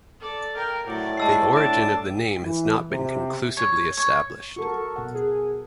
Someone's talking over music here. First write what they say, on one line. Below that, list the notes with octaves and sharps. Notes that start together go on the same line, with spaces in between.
The origin of the name has not been conclusively established.
A4 D5
A#4 F5 G5
A2 F#3 D5
G#3 A5 E6 C7
D4 A5 D6 D7
E3
C3
C#5
C#5
F#4 A4 A#4 C#6
B2 F#5
G#4